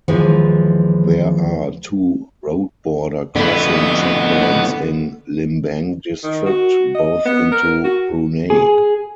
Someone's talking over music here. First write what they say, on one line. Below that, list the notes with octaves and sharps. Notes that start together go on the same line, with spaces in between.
There are two road border crossing checkpoints in Limbang district, both into Brunei.
D#2 D3 E3 F3 G#3
F2 A2 D3 B3
D#3
F#4
D#5
B3
A#4
F#4
G#4